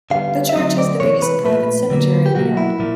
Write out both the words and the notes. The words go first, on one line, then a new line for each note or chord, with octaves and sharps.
The church has the biggest private cemetery in Europe.
D3 G3 B3 F5
E5
D3 F#3 A3 C4 D#5
D5
C3 E3 G#3 C#5
B4
A#2 F3 A3 B4
D3 F#3 A#3
G4
B2 F#3 A#3 F#4
E4
A#2 F3 A#3